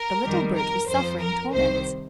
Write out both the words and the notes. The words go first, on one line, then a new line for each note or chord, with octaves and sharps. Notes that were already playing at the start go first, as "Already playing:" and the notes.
The little brute was suffering torments.
Already playing: A#4
F2 D#3 G3
A#4
F2 C5
F3
A#4
C2 C3 D#3 C5